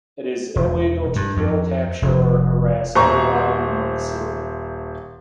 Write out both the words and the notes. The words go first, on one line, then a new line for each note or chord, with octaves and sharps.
It is illegal to kill, capture or harass a Hawaiian monk seal.
E1
G2
F2
F1
D#1 C5 A#5 C#6